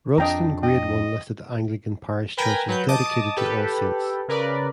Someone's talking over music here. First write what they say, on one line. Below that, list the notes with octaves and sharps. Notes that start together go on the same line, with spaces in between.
Rudston Grade One listed Anglican parish church is dedicated to All Saints.
F2 B3 D4 D#5 G5 A#5
D#5 G5
A#4 B4 G5 G#5 A#5 B5
F#3 B4 G6
D#5 A5 D6 D#6
G4 A4 B4
C#3 A#4 B4 D5